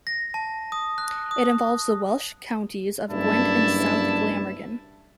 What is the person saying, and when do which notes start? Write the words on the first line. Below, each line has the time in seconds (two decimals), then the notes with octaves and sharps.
It involves the Welsh counties of Gwent and South Glamorgan.
0.07 A#6
0.34 A5
0.72 D#6
0.98 F#6
1.31 D#6
3.10 F#1 G2 D4 E4 A5